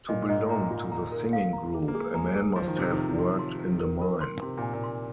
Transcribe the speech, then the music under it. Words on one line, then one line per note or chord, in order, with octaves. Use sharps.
To belong to the singing group, a man must have worked in the mine.
A#2 D#5
G#2 D#5
A#2 A#5
F4
A#5
A#4
F5
A#5
G#4
A#3
G#3 G#4
G#3 A#5
G#3 G#4
F3 C6
D#3
C3 C5
D#3
C5
C6
C6
C5
A#4
A#4
C6
C3 C6
A#2 G#5
A#2
C6